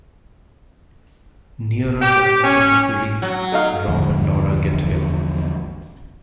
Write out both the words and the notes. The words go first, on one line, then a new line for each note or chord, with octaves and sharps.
Nearer the end of the series, Rob and Laura get together.
G4
C#4
F#3
A3 D#4 F5
A#1 E2 D3 G#3